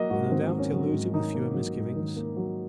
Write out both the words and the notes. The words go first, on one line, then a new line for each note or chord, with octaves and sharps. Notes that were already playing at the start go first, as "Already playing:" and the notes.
So no doubt he'll lose it with fewer misgivings.
Already playing: F#3 A#3 D#5 F#5
G#2 F#4
D#3 C4
A#3
C#4
F#3
F#4
G#2
D#3 D#4
A#3
F#3
G#2
D#3
A#3
F#3